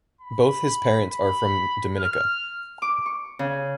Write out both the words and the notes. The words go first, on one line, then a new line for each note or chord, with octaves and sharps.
Both his parents are from Dominica.
B5
B5
F6
D6
C#6
C#3